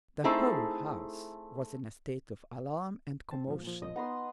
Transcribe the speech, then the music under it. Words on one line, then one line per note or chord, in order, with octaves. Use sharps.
The whole house was in a state of alarm and commotion.
A3 C4 D#4 E4 G#4 A4
C4 A5
G#2 B2 F3
A#2 F3
D#5
B3 D#4 A#5 C6